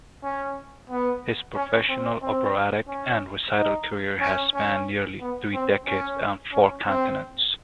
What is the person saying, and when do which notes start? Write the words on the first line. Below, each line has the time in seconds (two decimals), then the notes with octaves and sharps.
His professional operatic and recital career has spanned nearly three decades and four continents.
0.24 C#4
0.90 B3
1.55 C#4
1.89 C4
2.22 C4
2.88 C#4
3.55 D#4
4.21 C#4
4.54 C#4
5.21 B3
5.54 C4
5.87 C#4
6.53 C#4
6.86 C4